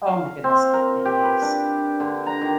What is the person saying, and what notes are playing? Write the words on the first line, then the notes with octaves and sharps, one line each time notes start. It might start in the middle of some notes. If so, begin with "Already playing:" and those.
Oh my goodness, beignets.
F5
C4
A#4
G4
B4
D4
D3
A#5
D#3